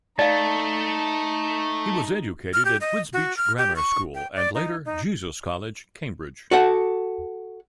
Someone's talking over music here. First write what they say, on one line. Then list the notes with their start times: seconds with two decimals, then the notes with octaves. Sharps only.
He was educated at Wisbech Grammar School and later Jesus College, Cambridge.
0.19 A3 D#4 D5 F5 A5
2.53 F6
2.65 G4
2.81 D#5
3.13 F#4
3.37 F6
3.58 G4
3.76 C#6
4.15 G5
4.36 D5
4.55 D#4
4.85 D#4
6.51 F#4 A4 F#5